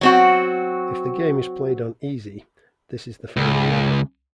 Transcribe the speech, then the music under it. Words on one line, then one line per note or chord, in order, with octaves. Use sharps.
If the game is played on Easy, this is the final level.
F#3 C4 F#4
C#2